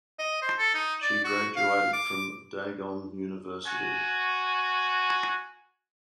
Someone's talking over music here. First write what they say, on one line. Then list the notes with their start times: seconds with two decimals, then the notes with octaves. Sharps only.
She graduated from Dagon University.
0.19 D#5
0.42 C5
0.59 A4
0.75 D#4
1.02 D5
1.24 F#4
1.56 F5
1.93 D6
3.66 F#4 G#5